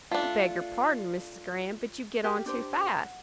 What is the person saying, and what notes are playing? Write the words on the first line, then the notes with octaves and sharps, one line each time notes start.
'I beg your pardon, Mrs. Graham--but you get on too fast.
A3 D4 F4
G4 A#4
D4 G4 C5
F#5